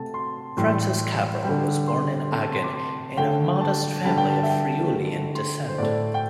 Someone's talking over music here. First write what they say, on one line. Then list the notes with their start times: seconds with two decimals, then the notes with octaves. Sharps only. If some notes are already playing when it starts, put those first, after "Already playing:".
Francis Cabrel was born in Agen into a modest family of Friulian descent.
Already playing: C3 A3 A5
0.14 C6
0.57 A2 E3 G3 C6
1.44 D3 G3
1.88 C6
2.31 C3 A3 C6
2.41 A5
2.53 C6
2.64 D6
2.74 C6
3.17 D3 A3 G5
3.61 A5
4.05 D3 G3 A5
4.17 G5
4.30 A5
4.43 E5
4.49 G5
4.92 D3 A3
5.35 C6
5.69 C5
5.78 A2 A3 D5
6.14 G5